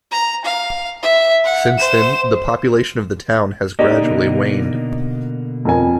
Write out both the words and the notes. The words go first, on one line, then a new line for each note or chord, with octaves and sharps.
Since then, the population of the town has gradually waned.
A#5
F5
E5
F#5
C5 E7
A#3 C#4 D#4 G4 D5 D#5
B2 D3 A#3
F2 A#4 G#5